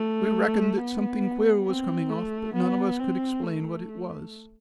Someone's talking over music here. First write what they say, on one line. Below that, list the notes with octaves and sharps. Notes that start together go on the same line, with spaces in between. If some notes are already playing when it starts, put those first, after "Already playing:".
We reckoned that something queer was coming off, but none of us could explain what it was.
Already playing: A3
B3
C4
A3
B3
C4
A3